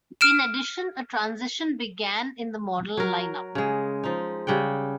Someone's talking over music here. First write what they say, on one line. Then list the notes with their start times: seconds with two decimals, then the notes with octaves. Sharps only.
In addition, a transition began in the model lineup.
0.21 F6 D7 E7
2.97 F#3 A#4
3.55 C#3 G#3
4.04 F3 D#4
4.47 C#3 G3 F#5 G5